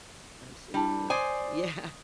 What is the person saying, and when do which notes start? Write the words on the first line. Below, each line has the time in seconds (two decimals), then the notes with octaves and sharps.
Absolutely. Yeah.
0.74 G3 D4 E4 A5
1.10 C5 D5 G#5 D#6